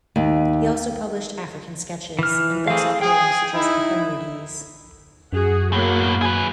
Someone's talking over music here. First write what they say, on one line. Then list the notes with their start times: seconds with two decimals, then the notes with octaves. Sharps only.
He also published "African Sketches" and books of poems, such as "Ephemerides".
0.16 D#2
2.19 E3 F6
2.67 E3 A3 C4 G#4 F5
3.01 G#4 G5
3.53 D#4 E4
5.33 F#2 F#4 G#4
5.73 A2 F#3 A#3 B3
6.22 G#4 B4